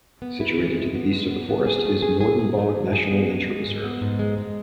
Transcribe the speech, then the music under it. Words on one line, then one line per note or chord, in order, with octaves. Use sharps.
Situated to the east of the forest is Morden Bog National Nature Reserve.
B3
E4
E3
G#3
B3
G#3
B3
B3
G#4
A3
G#4
G#4
G#4
A3
G#4
G#4
B3
G#3
G#3
G#2
B3
G#2
G#3
G#3